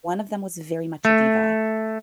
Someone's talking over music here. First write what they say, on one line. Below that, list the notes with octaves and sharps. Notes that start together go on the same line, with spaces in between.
one of them was very much a diva,
A3